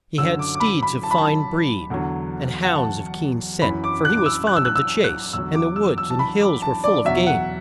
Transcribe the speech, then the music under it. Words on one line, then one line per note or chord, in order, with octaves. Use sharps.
He had steeds of fine breed, and hounds of keen scent, for he was fond of the chase, and the woods and hills were full of game.
F#2 D3 F#3 E6
D6
D6
B5
B5
A5
B5
A5
E2 D3 F#3
F#5
A5
F#2 E3 B5
D6
F#6
D6
E6
F#6
E6
F#6
E6
F#6
E2 D3 F#3 E6
D6
E6
E6
A5
B5
D6
A5
D5
E2 B2 F#3 E5
F#5